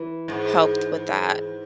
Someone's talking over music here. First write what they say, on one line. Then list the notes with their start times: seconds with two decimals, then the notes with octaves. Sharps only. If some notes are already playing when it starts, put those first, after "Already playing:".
helped with that.
Already playing: E3
0.28 G#2